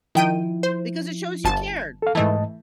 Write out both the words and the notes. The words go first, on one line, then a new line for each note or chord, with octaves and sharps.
Because it shows you cared.
D#3 F3 E4 G5 D#7
C5
G1 A5
A4 F5
G#2 E3 A3 D#5 A5